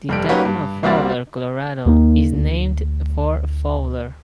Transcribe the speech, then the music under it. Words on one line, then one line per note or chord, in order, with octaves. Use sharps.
The town of Fowler, Colorado is named for Fowler.
F1 G2 G3 G4 D7
A#3 C#4 D#4 F#4 G4 B4
G2
C2 G3 A#3 C4 F#4 A6
D#2 A#3 D#4
D2